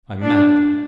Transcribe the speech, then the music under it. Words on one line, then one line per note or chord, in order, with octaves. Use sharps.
I'm mad.
D4